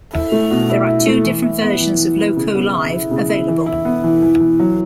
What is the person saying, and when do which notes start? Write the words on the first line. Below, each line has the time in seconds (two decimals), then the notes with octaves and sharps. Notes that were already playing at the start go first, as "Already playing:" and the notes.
There are two different versions of "Loco Live" available.
0.13 E4
0.32 A3
0.51 B2
0.70 E4
0.87 E4
1.07 A3
1.25 E3
1.43 E4
1.62 B3
1.80 E3
1.99 E3
2.18 B3
2.37 C#3
2.55 B3
2.73 E4
2.92 E4
3.11 C#3
3.29 E4
3.48 E3
3.66 E4
3.85 B3
4.04 E3
4.22 E3
4.41 E3
4.60 F#3